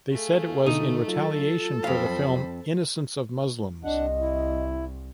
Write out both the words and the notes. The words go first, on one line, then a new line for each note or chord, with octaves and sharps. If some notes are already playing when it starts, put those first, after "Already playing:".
They said it was in retaliation for the film "Innocence of Muslims".
A3 G#4 F5
B2 D3 D#4
F#3 F4 A4
F2 C5 F5 B5
C2 D4 D#5 F#5
E4